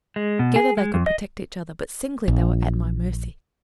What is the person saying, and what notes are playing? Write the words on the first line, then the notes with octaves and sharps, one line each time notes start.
Together they could protect each other, but singly they were at my mercy.
G#3
B2
G#4
G#3
F2
D#5
A#1